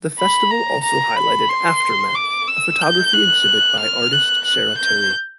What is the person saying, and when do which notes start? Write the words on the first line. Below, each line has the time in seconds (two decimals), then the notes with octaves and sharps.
The festival also highlighted "Aftermath," a photography exhibit by artist Sara Terry.
0.19 B5
0.51 A#5
0.84 A#5
1.16 B5
1.49 C6
2.15 D6
2.47 E6
2.81 G6
3.13 F#6
3.79 F6
4.12 F#6
4.45 F#6
4.78 G6